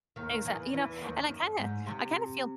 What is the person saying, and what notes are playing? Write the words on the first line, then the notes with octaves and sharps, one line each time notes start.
Exact you know, and I kinda I kinda feel,
D#2 D#3
E2 E3
E2 E3
D#2 D#3
F#2
G#2
C3